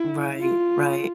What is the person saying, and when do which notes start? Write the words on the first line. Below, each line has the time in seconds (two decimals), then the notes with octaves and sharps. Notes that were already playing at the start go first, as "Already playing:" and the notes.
Right, right.
Already playing: E4
0.40 F4